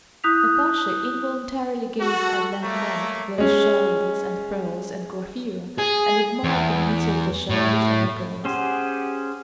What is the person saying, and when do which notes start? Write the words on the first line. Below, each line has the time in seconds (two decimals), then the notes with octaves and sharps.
Natasha involuntarily gazed at that neck, those shoulders, and pearls and coiffure, and admired the beauty of the shoulders and the pearls.
0.24 E4 D#6 F#6 G6 B6 F7
1.99 F#4 A4
2.62 A3 A#3 C#5 A#5
3.38 G#3 C#4
5.78 G#4
6.44 E2
7.50 A2
8.45 C#4 G4 G#4 C5 F#5